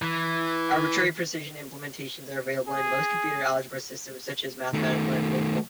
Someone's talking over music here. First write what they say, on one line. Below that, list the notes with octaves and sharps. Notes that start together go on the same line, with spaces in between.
Arbitrary-precision implementations are available in most computer algebra systems, such as Mathematica and Maple.
E3
G#4
D#3 A3